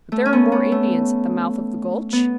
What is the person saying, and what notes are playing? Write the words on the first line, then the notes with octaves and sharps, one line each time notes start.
"But there are more Indians at the mouth of the gulch?"
A3
C#4
B3
B3
A3
B3